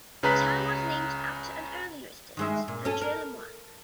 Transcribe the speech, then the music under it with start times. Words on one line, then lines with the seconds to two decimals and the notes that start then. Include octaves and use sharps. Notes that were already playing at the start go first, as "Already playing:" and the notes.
The town was named after an early resident, Andre LeMoyne.
0.23 C#2 C#3 B4 A#5 F#6 B6
2.37 D#3 G#3 E5
2.68 A#2
2.85 C#4 A4
3.01 A#4